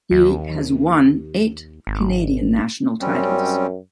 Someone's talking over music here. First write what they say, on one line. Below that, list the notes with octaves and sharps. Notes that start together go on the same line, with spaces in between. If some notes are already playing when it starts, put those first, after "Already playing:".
He has won eight Canadian National titles.
D#2
G#1
F#2 G3 C4 C#4